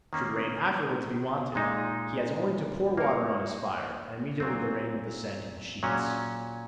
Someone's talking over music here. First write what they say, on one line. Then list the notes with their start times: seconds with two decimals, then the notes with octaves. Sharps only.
Should rain afterwards be wanted, he has only to pour water on his fire, and immediately the rain will descend in sheets.
0.13 D#3 A#3 C#4
1.55 A#2 G#3 D#4
2.98 A#3 D#4 A#4 C#5
4.40 A#2 F#3 C4
5.83 A#2 F#3 C#4 G#4